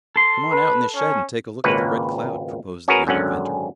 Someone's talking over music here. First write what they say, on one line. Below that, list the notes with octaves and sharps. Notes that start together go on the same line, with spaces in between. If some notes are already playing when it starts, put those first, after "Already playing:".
"Come on out in the shed and take a look at the Red Cloud," proposed the young inventor.
A4 C6
B4
C#4
G#1 C#2 A#2 A#3 B4 C#5
C#4 F#4 G#4 A#4 B4
G#1 F#2 D3 C#4 F#5